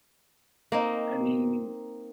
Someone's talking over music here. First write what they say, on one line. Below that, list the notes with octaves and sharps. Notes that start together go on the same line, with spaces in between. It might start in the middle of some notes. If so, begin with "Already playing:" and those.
I mean
A#3 C4 D#4